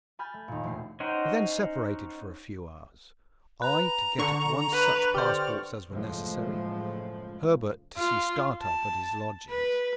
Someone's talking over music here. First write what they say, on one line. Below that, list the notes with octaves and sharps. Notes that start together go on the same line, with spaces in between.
We then separated for a few hours: I, to get at once such passports as were necessary; Herbert, to see Startop at his lodgings.
G#5 B5 F6 G6 A6
A3
D#2 A#2
E1 A3 C7
C#4 D#4 C5 F#5 G5
B4 A#5
D3 C#6
B4
G4 C5 D5 F6
F#1 A2 F3 G#3
F4
A5
B4